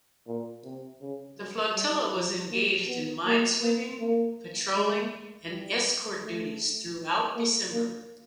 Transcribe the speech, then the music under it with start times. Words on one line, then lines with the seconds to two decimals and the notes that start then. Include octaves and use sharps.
The flotilla was engaged in minesweeping, patrolling and escort duties throughout December.
0.27 A#2
0.64 C3
1.01 C#3
1.38 F#3
1.76 G3
2.13 F3
2.51 A#3
2.88 B3
3.26 A#3
3.62 A#3
4.00 A#3
4.75 G#3
5.49 G3
6.24 A3
7.36 A#3
7.73 A#3